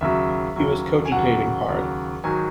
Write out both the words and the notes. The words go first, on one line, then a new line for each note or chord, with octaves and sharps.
He was cogitating hard.
D#2 C#3 F#3 E5
D#2 C#3 F#3
G#5
D#2 C#3 F#3 F#5
D#2 C#3 F#3
G#2 D#3 F#3 G#5